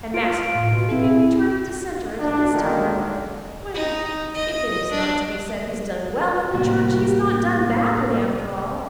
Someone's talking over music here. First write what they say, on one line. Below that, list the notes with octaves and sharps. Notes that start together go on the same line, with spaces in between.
And master thinking of turning Dissenter at his time of life, when, if it is not to be said he's done well in the Church, he's not done badly after all.
F4 D7
A2
B2
C4 E4
B1 A2 D4
F#2 D3 D#3 G#3 A#3
D#4
D#5
D4
A2 C3 E3 G3 A#3 F#4